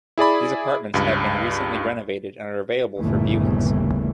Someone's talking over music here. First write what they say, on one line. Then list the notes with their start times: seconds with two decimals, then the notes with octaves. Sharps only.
These apartments have been recently renovated and are available for viewings.
0.18 E4 G#4 D5 B5
0.94 C#2 G2
2.99 G1 D#2 A#2 C#3 E3 A3